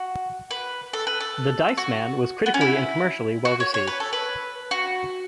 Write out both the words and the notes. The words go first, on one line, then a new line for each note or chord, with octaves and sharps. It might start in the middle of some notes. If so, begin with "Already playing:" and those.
"The Dice Man" was critically and commercially well received.
Already playing: F#4
B4
A4
B4
A4
F#4
B3
C#4
E4
F#4
C#5
C#5
B4
A4
B4
F#4